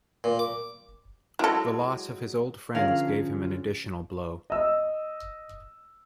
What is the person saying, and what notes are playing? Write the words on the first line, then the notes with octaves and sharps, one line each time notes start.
The loss of his old friends gave him an additional blow.
A#2
D6
F#3 G#3 E4 A4
D3 F3 C#4 G#4 A#4 F5
D#5 E6